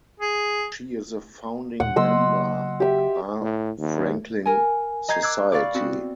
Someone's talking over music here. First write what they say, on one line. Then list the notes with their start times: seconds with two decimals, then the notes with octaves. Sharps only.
She is a founding member R. Franklin Society.
0.20 G#4
1.80 D#2 A#2 F#5
1.96 C#3 F#3 A#3 D#5 C6 E6
2.80 G4 E5
3.41 A2
3.77 D#2
4.46 A#4 G#5
5.08 D#5 A#5 G6 G#6 C7
5.23 D6 E6 F#6 G#6
5.52 D5 F5 B5 C#6 D6
5.74 B3 C4 F#4